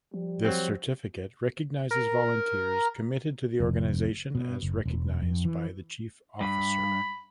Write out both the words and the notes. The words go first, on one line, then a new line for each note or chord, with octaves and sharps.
This certificate recognises volunteers committed to the organisation as recognised by the chief officer.
F3 G3
F#3 C4
A#4
F1
B2
F#1
E1
F2
E3
G2 B5